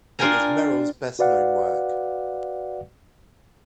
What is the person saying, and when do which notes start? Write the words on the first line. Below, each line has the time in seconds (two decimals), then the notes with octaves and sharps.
It is Merrill's best known work.
0.19 D4 F4 A#4 G5 G#5 A#5
1.19 F#4 B4 D5 F5 F#5